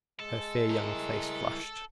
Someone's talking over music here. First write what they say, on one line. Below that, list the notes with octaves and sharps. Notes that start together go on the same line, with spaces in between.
Her fair young face flushed.
G#3 A4
E4 A#4